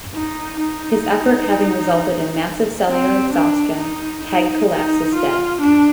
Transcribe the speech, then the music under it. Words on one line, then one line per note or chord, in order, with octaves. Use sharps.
His effort having resulted in massive cellular exhaustion, Teg collapses dead.
D#4
D#4
C4
D4
D#4
D#4
D#4
F4
D4